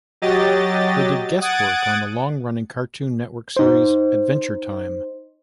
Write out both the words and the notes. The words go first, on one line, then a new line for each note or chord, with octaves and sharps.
They did guest work on the long running Cartoon Network series "Adventure Time".
F#3 G4 D#5 A6
F#5 D#6 F#6 G#6 A6 D7
D#4 C5